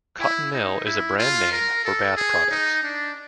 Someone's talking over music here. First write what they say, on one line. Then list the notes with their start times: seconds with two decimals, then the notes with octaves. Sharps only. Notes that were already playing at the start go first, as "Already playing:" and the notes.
Cottonelle is a brand name for bath products.
0.20 E4
0.53 D#4
0.85 E4
1.18 F4
1.52 A#4
1.85 A4
2.17 G#4
2.51 D#4
2.83 D4